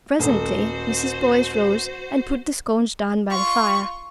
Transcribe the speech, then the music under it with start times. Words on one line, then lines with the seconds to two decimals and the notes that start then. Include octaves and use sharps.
Presently Mrs. Boyce rose and put the scones down by the fire.
0.20 D#1 A3 F#4 C5
3.27 F4 C#6